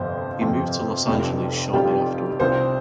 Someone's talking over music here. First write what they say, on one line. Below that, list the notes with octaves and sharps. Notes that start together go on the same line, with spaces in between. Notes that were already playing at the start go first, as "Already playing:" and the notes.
He moved to Los Angeles shortly afterward.
Already playing: G1 F2 C3 F3 C4 C5
G1 F2 C3 F3 C4
F1 F2 C3 G3 F4
F1 F2 C3 G3 F4 G4
C2 C3 G3 D4 F4 C5